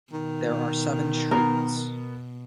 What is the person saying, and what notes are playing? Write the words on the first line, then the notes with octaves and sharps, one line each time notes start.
There are seven streets.
B2 D#3
B3 A#4